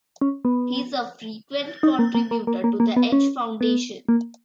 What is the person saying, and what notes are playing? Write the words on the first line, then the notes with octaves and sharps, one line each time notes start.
He is a frequent contributor to the Edge Foundation.
C#4
B3
D#4
A#3
A#3
A#3
A#3
A#3
A#3
B3
C#4
B3
A#3